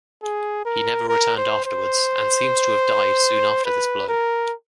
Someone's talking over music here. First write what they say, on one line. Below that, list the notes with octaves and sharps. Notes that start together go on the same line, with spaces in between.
He never returned afterwards, and seems to have died soon after this blow.
G#4
A#4
A#4
C5
C5
B4
A#4